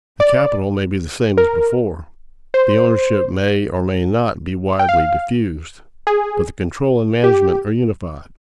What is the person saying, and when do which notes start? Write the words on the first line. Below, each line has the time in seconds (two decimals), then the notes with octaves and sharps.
The capital may be the same as before, the ownership may or may not be widely diffused, but the control and management are unified.
0.20 D5
1.37 A#4
2.54 C5
4.79 G5
4.89 F5
6.07 G#4
7.24 G4